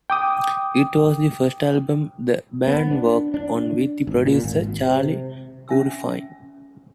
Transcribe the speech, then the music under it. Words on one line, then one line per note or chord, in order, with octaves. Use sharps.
It was the first album the band worked on with the producer Charlie Bauerfeind.
G5 D6 D#6
B3
D4
D4
G#1
A#2
G#1
C3
C#4 E5 G#5 E6